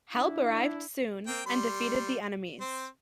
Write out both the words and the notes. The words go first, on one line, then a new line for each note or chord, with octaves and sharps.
Help arrived soon and defeated the enemies.
D4 E4
A#3 C4 G5
G3 C6
C4 C5